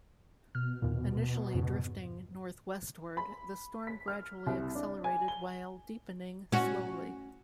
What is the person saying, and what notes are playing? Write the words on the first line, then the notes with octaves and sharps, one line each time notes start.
Initially drifting northwestward, the storm gradually accelerated while deepening slowly.
B2 F6
D#2 A#2
F2 G#2 C#3
B5
B6
F6
C2
D4
G#5
G7
C#4 F#4